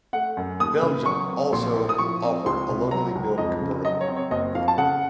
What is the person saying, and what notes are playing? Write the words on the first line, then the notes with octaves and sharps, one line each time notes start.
Belgium also offered a locally built convertible.
A3 F#5
F#2
D#2 D#6
C#3
F#3 C#6
C4
A#1 C6
A2
D#6
F3 C#6
C4
C#2 C6
C3
F#3 A#5
C#2
F2 D#5
C#3
F#3 D#5
C#5
C4
C#5
F#1 D#5
F2 F5
A5
C#3 F#5